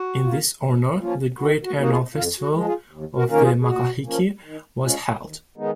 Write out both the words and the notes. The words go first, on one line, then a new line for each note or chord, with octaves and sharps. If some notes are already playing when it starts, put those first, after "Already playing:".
In his honor, the great annual festival of the Makahiki was held.
Already playing: F#4
A#3 F4
G#2
F3 A#3 C#4 F4
D#3 F#4
F#4
A#3 D#4 F#4
F4 G#4
F2 F4
F#4
F3 G#3
F4 G#4
D#2
F#4 A#4
D#3 A#3 C#4 F4 A#4
F4 G#4
G#4
A#2 F#4
F3 A#3 C#4
D#3
G#3 C#4 F4
D#2
D#3 G#3 B3 D#4